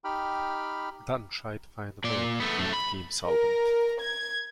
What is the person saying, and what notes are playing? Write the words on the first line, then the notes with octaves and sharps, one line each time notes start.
Dunn tried to find a way to keep the team solvent.
D#4 G4 G5 B5 F6
A#2 D5
A3 B3
F#2 A3
B5
A#4
G#6